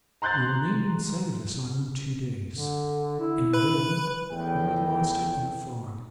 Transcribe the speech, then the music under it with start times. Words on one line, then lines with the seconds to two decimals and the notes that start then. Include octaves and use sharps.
We remained in sight of this island two days, and then only lost it in a fog.
0.22 A#5 C6 F#6 G6 A6
2.55 D3
3.20 E4
3.53 B4 B5
4.30 E2 A2 G5